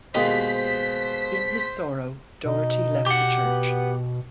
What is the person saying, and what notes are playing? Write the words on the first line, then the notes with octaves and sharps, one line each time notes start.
In his sorrow, Doherty left the Church.
D#2 B2 G#3 G4 C5 D#5 B6
B2 D#4
G4 F#5
B3